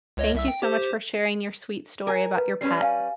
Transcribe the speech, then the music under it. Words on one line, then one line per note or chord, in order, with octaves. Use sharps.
Thank you so much for sharing your sweet story about your pet.
C#2 C#5 D#5
C2 E5 E6
G5
G4 C5
A#4 G#5
B4
G3 C#4 B4 C7
F5 G#5